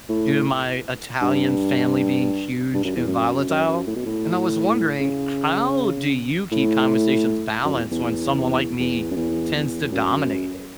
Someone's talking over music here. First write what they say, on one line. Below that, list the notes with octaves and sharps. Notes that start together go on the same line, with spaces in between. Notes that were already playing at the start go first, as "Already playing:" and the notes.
due to my Italian family being huge and volatile. And I was wondering, how do you keep conversations balanced when someone like me tends to dominate it?
A2
G2
G2
F#2
E2
F#2
F#2
F#2
A2
B2
A2
C#3
A2
F#2
E2
E2
E2
E2
F#2
E2
E2
E2
F#2